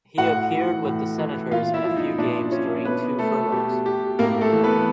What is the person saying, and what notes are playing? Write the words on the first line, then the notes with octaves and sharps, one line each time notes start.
He appeared with the Senators in a few games during two furloughs.
A2 F#4 F#5
E3
A2
E3
A#2 F4 F5
E4 E5
F3
D#4 D#5
A#2 D4 D5
F3 C#4 C#5
B2 B3 B4
A3 A4
B2 G4
G4
A2 A#3 A#4
A3 A4
E3
B3 B4